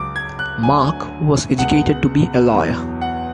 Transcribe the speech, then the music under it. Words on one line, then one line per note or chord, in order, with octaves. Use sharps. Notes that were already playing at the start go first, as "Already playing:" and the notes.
Marc was educated to be a lawyer.
Already playing: C#2 C#3 F#3 D6
G#6
F#6
D2 D3 F#3 G#5
C#2 B2 G#3 F#5
E2 B2 F#3
F#5